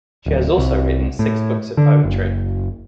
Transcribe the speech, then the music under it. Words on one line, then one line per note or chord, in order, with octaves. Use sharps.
She has also written six books of poetry.
D1
C2
A2
D3
F#1